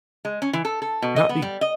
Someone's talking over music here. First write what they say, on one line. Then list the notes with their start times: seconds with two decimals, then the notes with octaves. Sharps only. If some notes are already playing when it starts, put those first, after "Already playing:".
not be
0.25 G#3
0.42 C#4
0.53 E3
0.65 A4
0.82 A4
1.02 B2
1.16 D#5
1.29 B3
1.42 G3
1.61 D#5